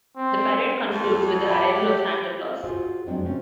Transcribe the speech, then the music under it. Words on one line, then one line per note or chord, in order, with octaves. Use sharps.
The parade concludes with the arrival of Santa Claus.
C4
F2
G4 E5 A5 B5
F4 F#4 G#4 C5
F2 F#3 G#3 C4 D4 G5
A3 C4 C#4